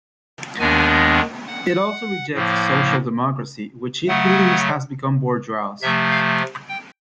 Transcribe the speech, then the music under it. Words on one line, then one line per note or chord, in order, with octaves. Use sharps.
It also rejects social democracy, which it believes has become bourgeois.
D#2 D#3 G#3 B3 D4 G#5
F#5
A2 F3 A#3
C#3 F#3 A3 F#5
C3 F3 A3 E5
F5
G5